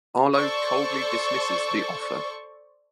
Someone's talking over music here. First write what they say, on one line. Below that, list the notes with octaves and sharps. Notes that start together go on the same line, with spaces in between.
Arlo coldly dismisses the offer.
A4 C5 D5 C#6